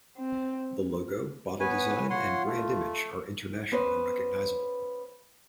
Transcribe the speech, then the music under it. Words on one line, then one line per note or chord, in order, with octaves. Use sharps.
The logo, bottle design, and brand image are internationally recognizable.
C4
B3 B4 C#5 G#5
F4 C#5 F#5 C6
A3
B3 C#4 B4 C5